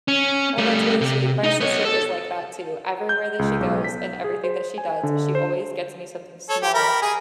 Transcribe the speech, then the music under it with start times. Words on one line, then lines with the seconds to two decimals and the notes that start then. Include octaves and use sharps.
Oh, that's really sweet. My sister is like that too, everywhere that she goes, and everything that she does, she always gets me something small
0.08 C#4
0.58 G3 A3
1.01 C3
1.44 D#4 D#5
1.60 B3 C#5
1.85 A4
3.09 G6
3.39 C#2
3.60 B1
3.84 B6
4.24 G#4
4.44 C5
4.78 G#5
5.03 D3
5.35 C5
6.49 A4 C#5
6.62 G4
6.74 A#4 B5
7.02 G#4 G#5